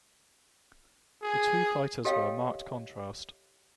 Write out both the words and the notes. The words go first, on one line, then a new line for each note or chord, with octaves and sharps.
The two fighters were a marked contrast.
G#4
G4 A4 C#5 D#5 F5 G5